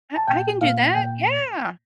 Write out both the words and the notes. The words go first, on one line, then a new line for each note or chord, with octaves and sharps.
I I can do that, yeah.
A5
A#2 G5
A#2 F5
A#2 G5